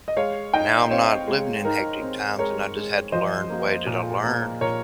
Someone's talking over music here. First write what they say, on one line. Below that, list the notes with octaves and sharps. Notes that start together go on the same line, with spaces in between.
now I'm not living in hectic times and I just had to learn the way that I learned
D#5
G#3 C#5 F5
D#4 D#5 G5
C4 C#5 F5
G#3
D#4 A#4
C4
G#3 A#4 C#5
G#3
F3 C5 D#5
A#3
A#2
A#3
A#2 A#4 C#5